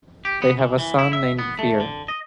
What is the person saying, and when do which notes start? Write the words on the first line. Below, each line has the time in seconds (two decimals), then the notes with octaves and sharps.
They have a son named Veer.
0.25 G4
0.42 B3
0.59 E3
0.78 E3
0.99 E4
1.13 E5
1.39 B3
1.59 A3
1.80 D3
2.08 D#5